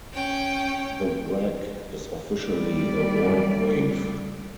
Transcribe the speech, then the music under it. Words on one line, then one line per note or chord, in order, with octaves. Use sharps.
The wreck is officially a war grave.
C#4 G5
G3 D5